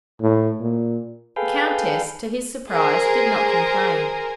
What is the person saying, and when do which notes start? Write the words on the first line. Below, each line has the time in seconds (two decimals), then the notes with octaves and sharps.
The Countess, to his surprise, did not complain.
0.21 A2
0.60 A#2
1.36 G#4 A4 B4 F5 G5
2.71 G#4 A#4 C5 G#5